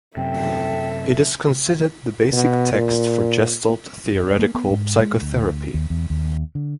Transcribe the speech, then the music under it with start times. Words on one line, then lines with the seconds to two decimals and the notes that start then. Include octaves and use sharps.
It is considered the basic text for Gestalt Theoretical Psychotherapy.
0.17 F#2 C3 A4 E5 G5
2.33 B2
2.73 A#2
4.39 A#3
4.55 B3
4.70 G#2
4.99 G#3
5.22 D2
5.74 D#2
5.90 E2
6.10 D#2
6.55 D3